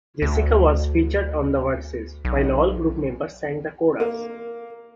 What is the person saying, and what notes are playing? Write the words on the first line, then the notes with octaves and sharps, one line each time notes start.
Jessica was featured on the verses while all group members sang the chorus.
D2
B1
A#3